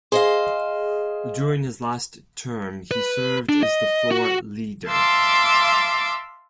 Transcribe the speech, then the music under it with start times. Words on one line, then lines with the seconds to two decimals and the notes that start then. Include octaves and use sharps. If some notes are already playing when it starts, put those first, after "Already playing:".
During his last term, he served as the floor leader.
0.12 G#4 C5 D#5 F5
2.91 B4
3.49 D4
3.63 D#5
4.11 F#4
4.89 E5 F5 A5 C6 D6 E6